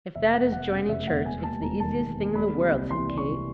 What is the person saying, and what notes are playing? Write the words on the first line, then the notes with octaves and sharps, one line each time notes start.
"If that is joining church, it's the easiest thing in the world," said Kate.
F1 E5
E2 F#5
F1 F#5
C#3
F1 E5
E2 F#5
E1 G#5
D#2 A5
E1 A#5
D#3 A5
E1
D#2
G3 B5
C3
C2
E3 C6
G3
C#6
C3